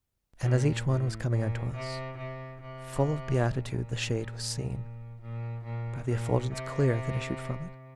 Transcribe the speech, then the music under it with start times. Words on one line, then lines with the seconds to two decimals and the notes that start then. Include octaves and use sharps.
And as each one was coming unto us, Full of beatitude the shade was seen, By the effulgence clear that issued from it.
0.44 A#2
0.87 A2
1.30 A#2
1.74 C3
2.18 C3
2.61 C3
3.48 A#2
5.21 A#2
5.64 A#2
6.08 A#2
6.52 C3